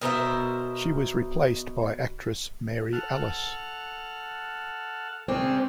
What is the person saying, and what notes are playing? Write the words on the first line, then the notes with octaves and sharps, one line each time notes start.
She was replaced by actress Mary Alice.
B2 A#4 C5 E5
A4 F#5 F6
C#3 G#3 C4 D4